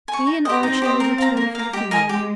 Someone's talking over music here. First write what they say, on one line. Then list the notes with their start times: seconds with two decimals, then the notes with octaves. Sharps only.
He and Archie would return for the funeral.
0.08 G#5
0.13 C#6
0.27 D#4
0.45 G4 C5 D#5
0.63 C4 D#4
0.82 G4 C5 D#5
1.00 A#4
1.18 F5 A#5
1.37 A#3 A#4
1.55 F5 A#5
1.73 G#3 G4
1.91 A#4 D#5 G#5
2.09 G4